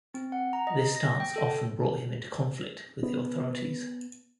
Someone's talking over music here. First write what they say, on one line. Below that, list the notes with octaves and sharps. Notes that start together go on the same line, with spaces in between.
This stance often brought him into conflict with the authorities.
C4
F#5
A#5
D#5
A#6
G5
A4
B3